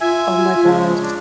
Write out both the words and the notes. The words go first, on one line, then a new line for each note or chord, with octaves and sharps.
Oh my gosh.
F4 E5 G#5
C#3 F3 G#3
D4